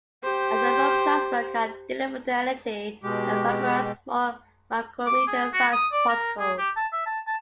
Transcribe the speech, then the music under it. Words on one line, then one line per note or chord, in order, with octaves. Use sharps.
A thermal plasma can deliver the energy to vaporize small micrometer-size particles.
G4 C5
B2 G#3 G4
D6
G#4
F#4
D#6
D5
A#4
G#4
G4
A5
E5
A5
A5